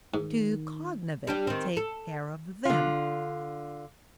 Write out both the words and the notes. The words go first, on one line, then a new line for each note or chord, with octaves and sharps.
Two cognovits--take care of them.
G#2 D#3
G3 D4 G4
D#3 C4
A4
D3 F4